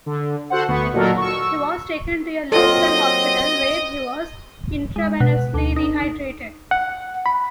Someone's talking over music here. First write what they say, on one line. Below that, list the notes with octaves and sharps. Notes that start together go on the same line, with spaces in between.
He was taken to a local hospital where he was intravenously rehydrated.
D3
F#4 A4 C5 F#5
D2 B3 C#6
A#2 D#3 F#3 F#4 A4 A#4
C#6 E6
A#2 F#3 C4 F4 F#4 A4 D#5
G#3
B2
D2
D#4
F#5
B5